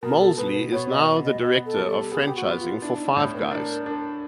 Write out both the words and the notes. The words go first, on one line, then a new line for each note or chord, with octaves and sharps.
Moseley is now the Director of Franchising for Five Guys.
B2 A#4
A4
B2 B4
B3 C#5
D#5
B3
D#5
B3 D#5
A4
G3
A4
B3 G#4
G4
F#4
B3
F4
D4 E4
D#4
A2 E4
B4
A#4
D4
D4